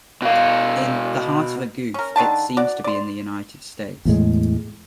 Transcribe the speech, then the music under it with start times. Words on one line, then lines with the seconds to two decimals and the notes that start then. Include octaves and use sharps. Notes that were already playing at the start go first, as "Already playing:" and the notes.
In "The Heart of a Goof", it seems to be in the United States.
0.22 B2 F5
1.94 C#4 A#4
2.16 D3 D#3 D4 A5
2.57 F#4 D5
2.84 D5 C6
4.05 E2 A2 G#3